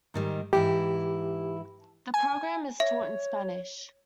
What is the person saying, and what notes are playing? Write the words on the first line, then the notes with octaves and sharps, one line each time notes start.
The program is taught in Spanish.
G#2 D#3 G3
G#2 E3 E4 G4
G#5
C#5 E5